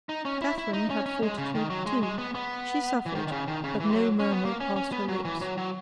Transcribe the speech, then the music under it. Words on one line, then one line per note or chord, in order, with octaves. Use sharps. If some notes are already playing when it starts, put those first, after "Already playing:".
Catherine had fortitude too; she suffered, but no murmur passed her lips.
D#4
C#4
E4
E4
D#4
C#4
C#4
G#3
C#3
D#3
F#3
G#3
G#3
B3
B3
E3
D#3
D#3
C#3
D#3
C#3
E3
G#3
F#3
C#4
B3
A#3
C#4
C#4
B3
F#3
E3
F#3
F#3